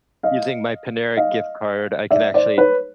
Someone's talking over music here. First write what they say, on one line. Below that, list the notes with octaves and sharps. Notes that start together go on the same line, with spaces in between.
using my Panera gift card, I can actually
D#5 F5
D#5 F5
D5 E5
C5 D5
B4 C#5